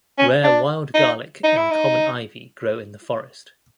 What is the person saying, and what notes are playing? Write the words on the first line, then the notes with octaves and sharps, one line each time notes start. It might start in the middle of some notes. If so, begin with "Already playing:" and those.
Rare wild garlic and common ivy grow in the forest.
C#4
D4
D#4
D#4
E4
D#4